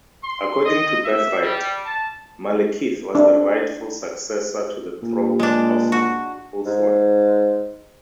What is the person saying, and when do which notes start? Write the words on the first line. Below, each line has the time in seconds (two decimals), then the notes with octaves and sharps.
According to birthright, Malekith was the rightful successor to the throne of Ulthuan.
0.24 C6
0.65 D#5
1.05 E5
1.42 G3
1.85 A5
3.15 D4
5.02 A#2
5.39 G#3 D4
5.92 F#4
6.66 G#2